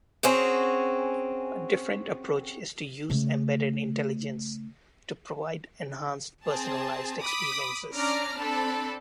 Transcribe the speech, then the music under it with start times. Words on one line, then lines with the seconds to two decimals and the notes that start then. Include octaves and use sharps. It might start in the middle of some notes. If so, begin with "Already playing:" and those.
A different approach is to use embedded intelligence to provide enhanced personalised experiences.
0.23 C4 C#4 F#4 G#4
3.10 C#3 A3
6.45 C4 G#4 A5
7.22 B5 D6 D#6
7.93 C#4 D4 D5 A#5 D6 F6
8.37 C4 D4 A4 A5 B5